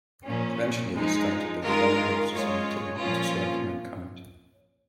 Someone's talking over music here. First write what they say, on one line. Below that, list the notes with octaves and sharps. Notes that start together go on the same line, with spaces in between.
Eventually, he started the Divine Life Society to serve mankind.
A#2 F3 C#4
F3 G#3 D#4
D#3 G#3 F4 A#4
G#3 F4 C#5
A#2 F3 C#4 F4